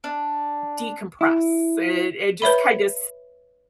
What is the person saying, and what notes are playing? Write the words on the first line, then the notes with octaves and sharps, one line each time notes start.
decompress. It it just kind of, s
D4
E4
B4 C#5 E5 B5